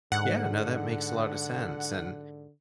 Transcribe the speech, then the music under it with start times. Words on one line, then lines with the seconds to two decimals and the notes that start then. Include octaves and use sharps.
Yeah. No, that makes a lot of sense. And,
0.12 G#2 D3 F#5